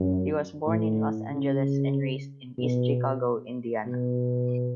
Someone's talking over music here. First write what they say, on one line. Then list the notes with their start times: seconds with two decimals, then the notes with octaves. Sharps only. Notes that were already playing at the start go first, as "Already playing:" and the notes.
He was born in Los Angeles and raised in East Chicago, Indiana.
Already playing: F#2
0.67 A2
1.30 C#3
2.58 B2
3.86 B2